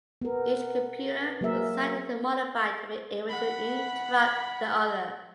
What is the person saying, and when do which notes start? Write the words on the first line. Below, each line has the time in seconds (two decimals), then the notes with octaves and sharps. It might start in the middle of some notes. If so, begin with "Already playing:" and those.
Each computer was slightly modified to be able to interrupt the other.
0.21 B3 A#4
1.41 F#3 A#3 G#4 A#4 E5
3.30 F#5 B5